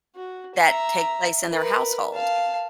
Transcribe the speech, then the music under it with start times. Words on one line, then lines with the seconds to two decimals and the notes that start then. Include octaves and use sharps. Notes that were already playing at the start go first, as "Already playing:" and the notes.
that take place in their household
0.16 F#4
0.55 E5 A#5
1.48 A#4 B4
2.14 F5 A5